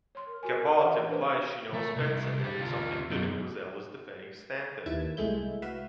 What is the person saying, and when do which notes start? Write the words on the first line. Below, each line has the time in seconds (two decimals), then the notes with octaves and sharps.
Cabot implies she knows Benson had something to do with Ellis defending Stanton.
0.15 C#5 C6
0.27 A#4
0.43 F#4 G#5
0.81 E3 E5 F#5
1.08 D4 B4 C5
1.74 A3
1.96 C2
2.44 D4 G4
2.60 D2 F4
3.10 F#2 B2
4.86 D#2 E4 B4 A5 G#6
5.17 C2 G#3 A3 E4 G6
5.62 F#4 B4 E5 F5